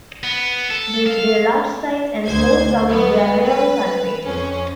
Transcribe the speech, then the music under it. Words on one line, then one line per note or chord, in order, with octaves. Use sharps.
Due to their large size and small flowers, they are rarely cultivated.
B3
A4
F5
D2 C5 G#6
F#3 B3
B4
F2 C#4